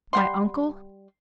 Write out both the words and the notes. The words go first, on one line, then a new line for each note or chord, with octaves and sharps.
My uncle?
G3 F#5 C6